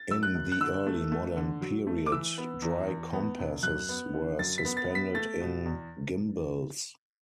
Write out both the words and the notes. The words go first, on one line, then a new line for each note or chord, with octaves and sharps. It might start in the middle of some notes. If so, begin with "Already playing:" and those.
In the early modern period, dry compasses were suspended in gimbals.
Already playing: A6
F#2 E6
F#6
F#2
F#6
D3 E6
A3
A3
D3
F#3
A3
D6
E3 E6
B3
E2
E2
B3
E1
F#2 F#6
B3
D3
F#2 A6
B6
B3
A6
B3
B6
A3 A6
B2
E2